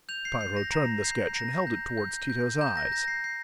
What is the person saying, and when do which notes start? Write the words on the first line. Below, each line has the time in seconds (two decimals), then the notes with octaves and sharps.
Piero turned the sketch, and held it towards Tito's eyes.
0.09 G6 F7
0.25 C7
0.40 G6 C7
0.57 A#6
0.72 A#5 A#6
1.03 G6 C7
1.35 A#5 A#6
1.67 G6
1.98 G6
2.30 G6
2.61 A#5 G6
2.77 A#6
2.92 G6 A#6
3.08 C7
3.24 G6 C7